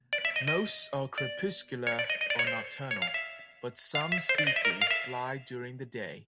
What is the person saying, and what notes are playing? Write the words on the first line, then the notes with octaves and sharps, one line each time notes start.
Most are crepuscular or nocturnal, but some species fly during the day.
D5
E5
D#5
D#5
D5
C#5
D5
D#5
D#5
D5
C#5
C5
C#5
F5
E5
F5
E5
C5
D5
D#5
E5
A#4
F5
E5